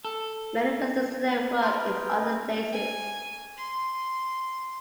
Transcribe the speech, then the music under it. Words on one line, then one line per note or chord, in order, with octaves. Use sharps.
Many residents today work in other places.
A4
G#4 B4 C5 G5 A#5 C6 F6
G#5
C6